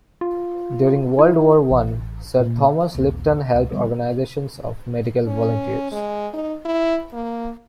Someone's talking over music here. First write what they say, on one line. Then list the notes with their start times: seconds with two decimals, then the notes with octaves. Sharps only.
During World War One, Sir Thomas Lipton helped organizations of medical volunteers.
0.21 F4
1.19 E4
1.71 A1
2.40 A#2
2.95 A#1 D#2
3.54 C#2
3.72 D3 G3 G#3 B3
5.27 C#4
5.92 G#3
6.34 D#4
6.65 E4
7.13 A#3